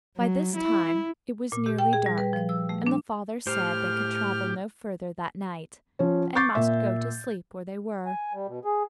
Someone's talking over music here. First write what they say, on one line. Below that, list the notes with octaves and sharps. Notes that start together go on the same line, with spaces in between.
By this time it was nearly dark, and the father said they could travel no further that night, and must go to sleep where they were.
F#3
E4
A#2
G4
G5
G#4
G3
B4
F3
E6
A3
D4
A2 G4 C5 F6
F3 C#4
C#6 D6 G6 A6 C7
A#2 E5
G#5
G3
B2
G#4